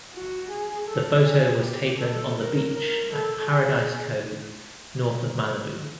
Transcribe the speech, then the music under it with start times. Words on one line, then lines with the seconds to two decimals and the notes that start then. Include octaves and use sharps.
The photo was taken on the beach at Paradise Cove, north of Malibu.
0.14 F#4
0.51 G#4
0.88 A4
1.25 G#4
1.63 G4
2.00 A4
2.38 A#4
2.76 A#4
3.13 A4
3.50 G#4